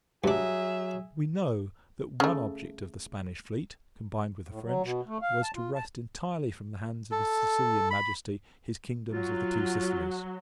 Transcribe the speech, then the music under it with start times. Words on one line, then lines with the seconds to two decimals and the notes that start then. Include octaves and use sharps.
We know, that one object of the Spanish fleet, combined with the French, was to wrest entirely from the hands of his Sicilian Majesty his kingdoms of the Two Sicilies.
0.24 G2 F#3 D4 G#4 E5
2.20 C#3 A3
4.48 A2
4.64 F#3
4.83 B2
5.07 A3
5.22 F5
5.43 A5
5.56 F4
5.75 A5
7.12 A4
7.91 B5
9.13 F#3 F4